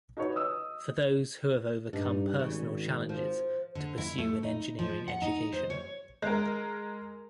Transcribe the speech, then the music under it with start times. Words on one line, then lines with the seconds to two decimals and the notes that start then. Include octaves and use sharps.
For those who have overcome personal challenges to pursue an engineering education.
0.17 D#4 F#4 B4 C#5
0.36 D#5 D#6 E6
1.93 G2 D4 D#4
2.39 G#1 C#3
3.09 F3
3.75 D3
3.98 E4
4.18 A3
4.43 D#4
4.79 F3
5.08 F#5
5.22 D#4
5.52 C5
5.70 C#5
6.22 G#3 A#4